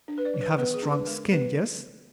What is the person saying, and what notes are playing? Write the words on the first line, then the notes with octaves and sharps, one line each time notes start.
You have a strong skin--yes?
D4
B4
D5
F#3
B4
B3 B4
G#4
D4
B4
G#3 A#4
B3 B4